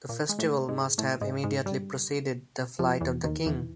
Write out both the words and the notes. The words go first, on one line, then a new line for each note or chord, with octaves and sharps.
The festival must have immediately preceded the Flight of the King.
A#2 A#3
G#3
A2 A3
G#2 G#3
A2 A3
G#2 G#3
G#2 G#3
G2 G3
F2 F3
E2 E3
D#2 D#3
E2 E3